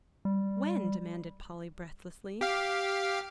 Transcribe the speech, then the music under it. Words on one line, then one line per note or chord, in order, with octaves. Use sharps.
"When?" demanded Polly breathlessly.
G3
G4 F5